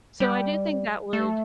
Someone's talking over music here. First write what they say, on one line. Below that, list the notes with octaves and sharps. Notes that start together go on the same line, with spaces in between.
So I do think that would
G3
A3